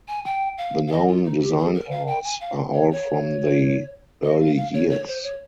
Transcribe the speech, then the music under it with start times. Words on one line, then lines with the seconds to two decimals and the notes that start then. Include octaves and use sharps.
The known design errors are all from the early years.
0.08 G#5
0.25 G5
0.58 F5
0.87 F5
0.92 D#5
1.08 F4
1.25 D#4
1.41 G4
1.58 G#4
1.74 A#4
1.91 F5
2.07 G5
2.24 G#5
2.41 F5
2.74 C#5
2.91 C#5
4.24 D#5
4.40 F5
4.57 F5
4.74 C#5
4.90 C#5
5.07 C5
5.23 C#5